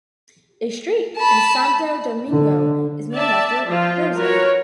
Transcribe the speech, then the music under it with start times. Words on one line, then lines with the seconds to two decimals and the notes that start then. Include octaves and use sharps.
A street in Santo Domingo is named after Rosen.
1.18 A5 B5
2.29 D3
3.14 D5 E5 A5
3.67 F3 F4
4.17 F#4 A#4 B4 C#5